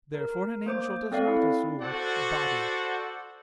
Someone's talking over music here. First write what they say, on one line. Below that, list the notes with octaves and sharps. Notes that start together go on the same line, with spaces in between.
Therefore an angel does not assume a body.
A#4
A#3 C5 D6
C4 A4 D5 F5
E4
F#4 A4 C5 D5 F#5